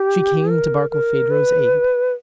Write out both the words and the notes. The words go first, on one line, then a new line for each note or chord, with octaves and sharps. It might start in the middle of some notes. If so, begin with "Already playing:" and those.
She came to Barkilphedro's aid!
Already playing: G4
A#4
A#4
B4